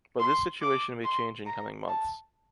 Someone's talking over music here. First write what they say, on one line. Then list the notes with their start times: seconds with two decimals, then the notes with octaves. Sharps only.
But this situation may change in coming months.
0.20 C6
0.62 D6
1.04 C6
1.47 A#5
1.88 A5